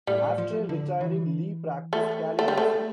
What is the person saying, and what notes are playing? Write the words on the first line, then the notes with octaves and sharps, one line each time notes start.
After retiring, Li practiced calligraphy.
A2 G3
F3
D3
E3
A3
A3
G3
A3